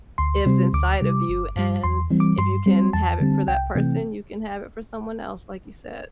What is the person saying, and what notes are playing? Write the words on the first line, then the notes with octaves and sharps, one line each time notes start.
is inside of you and if you can have it for that person, you can have it for someone else, like you said.
D2 C6
C3 G3 C4
D2 D6
C3 G3
G1
G2 G3
E2 C6
E3 G3 C4
D6
G2 C6
G3 C4
E2 A5
D3 G3 C4
C2 G5
C3 E3 A3 C4